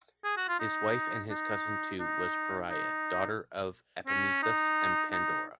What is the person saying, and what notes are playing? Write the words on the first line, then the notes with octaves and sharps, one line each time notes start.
His wife, and his cousin too, was Pyrrha, daughter of Epimetheus and Pandora.
G#4
F#4
F4
D#4
D#4
D#4
D#4
C#4
D#4
D#4